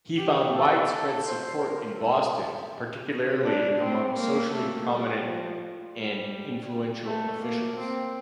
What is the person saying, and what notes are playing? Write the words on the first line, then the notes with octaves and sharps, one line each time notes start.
He found widespread support in Boston, particularly among socially-prominent and influential officials.
G4
A4
C5
A#4
A4
G4
D4
C4
A#3
A3
G3
F3
G3
A3
A#3
C4